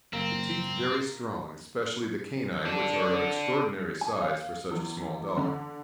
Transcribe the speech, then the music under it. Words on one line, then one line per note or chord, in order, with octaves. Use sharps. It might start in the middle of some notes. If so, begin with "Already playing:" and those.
The teeth very strong, especially the canine, which are of extraordinary size for such a small dog.
F#1 A#3 C4
D4 A4
G#5
F5
E2
D3